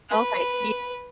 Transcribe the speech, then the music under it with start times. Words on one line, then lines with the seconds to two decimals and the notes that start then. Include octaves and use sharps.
Okay, do you
0.11 B4